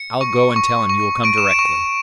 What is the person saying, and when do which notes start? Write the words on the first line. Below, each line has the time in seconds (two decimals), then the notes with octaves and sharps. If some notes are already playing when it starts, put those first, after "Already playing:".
"I'll go and tell him you will come directly."
Already playing: C#7
0.21 C#6
0.56 C#6
0.89 C#6
1.24 C#6 D7
1.38 E7
1.51 D7
1.59 C#6